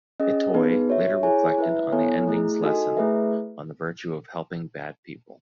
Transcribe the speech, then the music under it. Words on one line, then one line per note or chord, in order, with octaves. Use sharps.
Itoi later reflected on the ending's lesson on the virtue of helping bad people.
C#4 G#4 D#5
B3 D#4 G#4 B4
F#4 C#5 E5
E4 G#4 C#5 G#5
E4 B4 E5
B3 E4 A4 C#5 G#5
A3 E4 G#4
D#4 F#4 A4 D#5 G#5
A3 E4 G#4 B4 E5